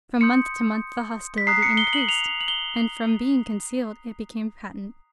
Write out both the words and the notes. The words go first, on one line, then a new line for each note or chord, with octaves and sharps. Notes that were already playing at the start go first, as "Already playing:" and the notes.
From month to month the hostility increased, and from being concealed it became patent.
C6 D#6 G6 C#7
B6
A#5 D#6 F#6 C7
C#7
G7
F#7
F7
F#7
G7